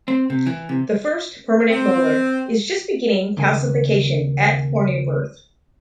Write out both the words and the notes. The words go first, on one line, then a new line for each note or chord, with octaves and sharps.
The first permanent molar is just beginning calcification at or near birth.
C4
C3
E3
C3
C4
D#2 C#3 G#5